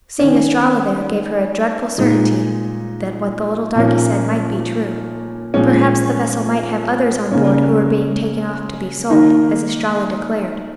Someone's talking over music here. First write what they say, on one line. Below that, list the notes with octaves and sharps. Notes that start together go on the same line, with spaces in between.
Seeing Estralla there gave her a dreadful certainty that what the little darky said might be true. Perhaps the vessel might have others on board who were being taken off to be sold, as Estralla declared.
D#3 C#4
A#2 G#3 D#4
A#2 F3 A#3 C#4
A#2 F3 G#3 C#4
C#3 A#3 C#4
D#3 A#3 D#4